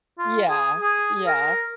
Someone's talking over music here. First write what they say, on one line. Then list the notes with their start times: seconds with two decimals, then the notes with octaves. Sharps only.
Yeah, yeah,
0.18 F4
0.49 G#4
0.81 G#4
1.27 A#4